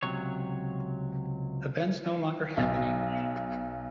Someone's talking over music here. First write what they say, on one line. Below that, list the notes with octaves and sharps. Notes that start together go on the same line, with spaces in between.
Events no-longer happening.
C#2 C3 F#3 C#5
B1